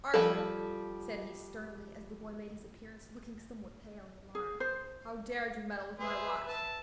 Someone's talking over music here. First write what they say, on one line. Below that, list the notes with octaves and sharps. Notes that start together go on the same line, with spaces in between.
"Arthur," said he sternly, as the boy made his appearance, looking somewhat pale and alarmed, "how dared you meddle with my watch?"
F3 G3 A4
G#4
C5
G#4 B4 C5 E5
A5